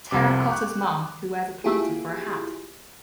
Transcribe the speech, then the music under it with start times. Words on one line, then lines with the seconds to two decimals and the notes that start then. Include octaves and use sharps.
Terra Cotta's mom who wears a planter for a hat.
0.11 C2 F2 C3 D6
0.49 G5 C#6 F#6
1.64 A#3 E4 F4 G4 G#4